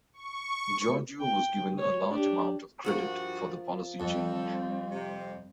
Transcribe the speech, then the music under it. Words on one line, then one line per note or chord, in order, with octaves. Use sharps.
Georgiou was given a large amount of credit for the policy change.
C#6
G5
C#5
D4 G4
G2 F3 F4 F#4 A#4
F2 G3 C4 A4
C3